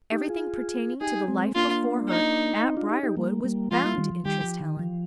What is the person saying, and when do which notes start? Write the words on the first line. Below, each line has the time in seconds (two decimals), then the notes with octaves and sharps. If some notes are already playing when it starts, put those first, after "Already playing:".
Everything pertaining to the life before her at Briarwood was bound to interest Helen.
0.11 D#4 G4
0.29 F4 G#4
1.01 D#4 G4 G#4
1.28 G#3 C4
1.55 A#3 D4 F4
2.09 D#4
2.63 C4 D#4
2.77 D4 F4
2.90 D#4 G4
3.03 D#4 G4
3.17 G3 A#3
3.44 G3 A#3
3.71 F3 G#3 F4
3.84 G3 A#3
3.98 D#3 G3
4.11 F3
4.25 D#3 G3 G4
4.44 F3
4.61 D#3
4.79 F3